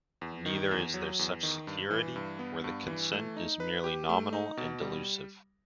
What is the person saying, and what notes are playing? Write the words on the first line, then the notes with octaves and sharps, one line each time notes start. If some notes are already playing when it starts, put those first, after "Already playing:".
Neither is there such security, where the consent is merely nominal and delusive.
E2
D#3
E2
F#3
E2
D#3
G2
E3
G2
B3
G2
E3
A3
D#4
B4
G4
A3
D#4
B2
G3